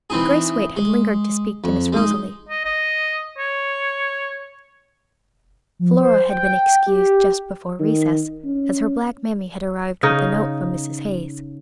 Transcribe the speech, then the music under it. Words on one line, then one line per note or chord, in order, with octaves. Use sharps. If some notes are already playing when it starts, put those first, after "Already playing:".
Grace Waite had lingered to speak to Miss Rosalie; Flora had been excused just before recess, as her black mammy had arrived with a note from Mrs. Hayes.
E3 C4 D#4 G#4
G#3
F2
G#3 D#4
D#5
D#5
C#5
F3
C5
G5
G4
D#3
C#4
C#3 D#4 D#5